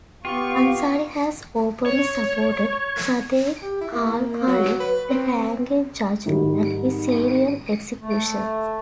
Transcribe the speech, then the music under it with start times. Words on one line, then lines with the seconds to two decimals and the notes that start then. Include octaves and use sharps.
Ansari has openly supported Sadegh Khalkhali, the hanging judge and his serial executions.
0.25 B3 F4 G4 F5 C#6
1.86 C#5
3.62 G4
3.81 E4
3.92 A#3
4.47 F#3
4.80 B4
5.09 C4
6.26 G#2 D#3 F#3 G3
8.01 A3